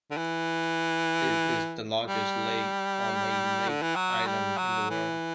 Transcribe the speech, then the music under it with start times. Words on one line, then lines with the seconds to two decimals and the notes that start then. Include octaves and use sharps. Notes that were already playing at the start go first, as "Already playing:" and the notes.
It is the largest lake on a lake island in the world.
0.11 D3
0.17 E3
2.07 G3
3.69 D3
3.82 E3
3.96 F#3
4.27 G3
4.58 F#3
4.90 E3